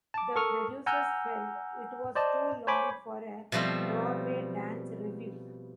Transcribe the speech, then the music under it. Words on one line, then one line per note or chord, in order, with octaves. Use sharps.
The producers felt it was too long for a Broadway dance review.
A5 D6
A4 A#4 C#6 D#6 F6
F#5 G#5 A#5 E6 F6 G6
C5 D5 D#5 A5
C5 C#5 G#5 B5 D6
B2 F3 G3 A3 C4